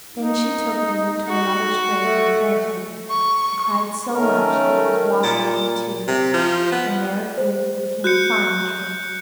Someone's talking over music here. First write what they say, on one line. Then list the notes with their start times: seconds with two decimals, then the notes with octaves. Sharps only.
Then she took it and went to her mother's grave and planted it there, and cried so much that it was watered with her tears; and there it grew and became a fine tree.
0.13 D#4
1.28 F#4
1.97 A3
3.10 C#6
4.13 D#3 A3 C#4 A#4
5.24 A#2
6.08 C3
6.34 F3
6.72 B3
7.38 C5
8.04 F#4 F#6 G6 C#7